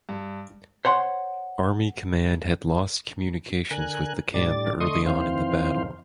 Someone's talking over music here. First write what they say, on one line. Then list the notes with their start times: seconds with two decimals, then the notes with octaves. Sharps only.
Army command had lost communications with the camp early on in the battle.
0.09 G2
0.85 C5 C#5 F#5 C6
3.71 D3 A#4 G#5 F#6
4.34 A2 G3 D4 D5 A6
4.80 D3 A3 D#5 C6 C#6 D#6
5.06 F2 D#3 E3 C4 C5 F5